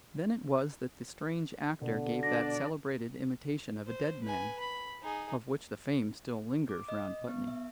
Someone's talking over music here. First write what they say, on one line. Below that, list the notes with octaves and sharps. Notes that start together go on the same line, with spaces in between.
Then it was that the strange actor gave that celebrated imitation of a dead man, of which the fame still lingers round Putney.
B2 D3
D4 D5 A#6
C5
B4 G#5
B5
D#4 G#4
D6
D#5
B3
E5